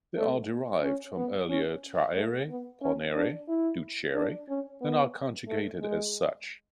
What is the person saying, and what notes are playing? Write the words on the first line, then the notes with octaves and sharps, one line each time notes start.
They are derived from earlier "trahere, ponere, ducere" and are conjugated as such.
A3
C#4
B3
C#4
A3
B3
C#4
D4
E4
D4
C#4
B3
A3
G#3